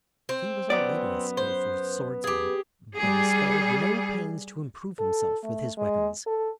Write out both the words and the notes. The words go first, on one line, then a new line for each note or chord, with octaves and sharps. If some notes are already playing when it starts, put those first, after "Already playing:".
He was already a skilful swordsman, but he spared no pains to improve himself with his weapons.
C4
F#2 B3 D5
C5
G4 G#4
G3 G#4
A4
A3
G#3
A4